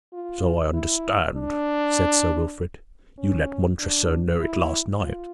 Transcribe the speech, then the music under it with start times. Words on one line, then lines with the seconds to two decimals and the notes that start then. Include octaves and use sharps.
"So I understand," said Sir Wilfrid; "you let Montresor know it last night."
0.13 F4
0.74 E4
1.35 D4
3.18 C#4
3.79 D4
4.40 E4
5.01 F4